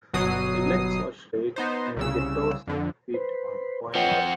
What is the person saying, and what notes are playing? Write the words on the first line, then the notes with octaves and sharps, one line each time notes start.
The legs are straight, and the toes and feet are pointed.
G1 B2 F#3 D#6 C7
B3 D#4 C5
C2 C#3 E6
F2 D3
B4 C5
F3 C4 B4 C#5 D#5 F#5